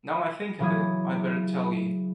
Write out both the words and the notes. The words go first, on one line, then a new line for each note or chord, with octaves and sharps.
Now I think of it, I’d better tell you.
C#3 E3 F#3 B5 D#6 G#6